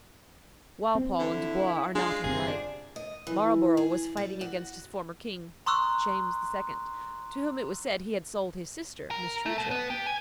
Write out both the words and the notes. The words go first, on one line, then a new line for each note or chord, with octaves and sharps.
Walpole and Dubois are not unlike. Marlborough was fighting against his former king, James II., to whom it was said he had sold his sister, Miss Churchill.
C4
D3 E4
G#3 D4 F4
G1 C3 G#4
D4
D#5
E3
G#4
G3
F#4
A#5 C6 C#6 D#6 E6 F#6
A#4
A3
B2
B3
G4
G#5